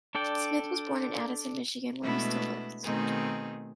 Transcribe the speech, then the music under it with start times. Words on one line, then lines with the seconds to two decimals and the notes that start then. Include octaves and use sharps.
Smith was born in Addison, Michigan, where he still lives.
0.15 D4 A4 D5 G5
2.03 B2 G#3 A3 B3 D4 E4
2.84 B2 D#3 A3 C4 D#4 G#4